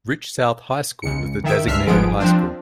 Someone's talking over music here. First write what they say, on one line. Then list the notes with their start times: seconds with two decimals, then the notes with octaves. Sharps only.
Rich South High School is the designated high school.
1.02 C#2 C#7
1.44 D#3 E5 D7
1.66 C#2 G2 E5 F6 B6 C7
1.87 G1 G#2 F3 B3 G#4 D7
2.19 F3 C4 D4